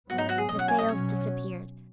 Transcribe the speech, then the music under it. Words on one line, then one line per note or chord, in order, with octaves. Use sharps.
The sails disappeared.
G#2 F#3 B3 F#4
D#4
F#4
G#4
B2 F#3 C#4 D#5
F#5
G#5
D#5
B2 F#3 C#4 C#5